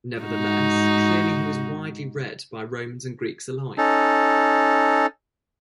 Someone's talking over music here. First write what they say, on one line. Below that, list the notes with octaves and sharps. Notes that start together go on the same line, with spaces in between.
Nevertheless, clearly he was widely read by Romans and Greeks alike.
G#2 D#4 F#4
C#4 D#4 A4